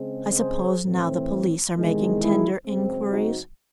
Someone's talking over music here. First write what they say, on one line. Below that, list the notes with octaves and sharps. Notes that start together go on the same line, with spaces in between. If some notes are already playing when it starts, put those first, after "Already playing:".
"I suppose now the police are making tender inquiries?"
Already playing: C#3 G#3 C4
G#4 C5
A2 E3 C4
E2 C3 D#3 G#3
E4 G#4
F#2 C#3 G#3 C4
D#4 F#4